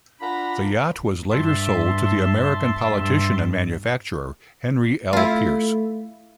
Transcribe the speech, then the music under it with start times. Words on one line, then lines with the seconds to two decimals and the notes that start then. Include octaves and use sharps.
The yacht was later sold to the American politician and manufacturer, Henry L. Pierce.
0.21 D4 F4 A#4 F#5 A#5 B5
1.31 G2 E5 A5 C6
2.89 G2
5.13 A3 E4 F4